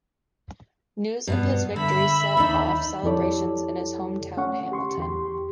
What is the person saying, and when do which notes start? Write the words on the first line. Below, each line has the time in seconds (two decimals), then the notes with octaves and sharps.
News of his victory set off celebrations in his home town Hamilton.
1.27 G2 B2 B3
1.76 D3 E5 B5
2.37 D#2 D4 D#4
3.03 F2 E4 G4 A4 C#5 D5
4.37 A3 C#4 F#5 C#6
4.72 G4 C6 C#6
4.98 E2 G4 C6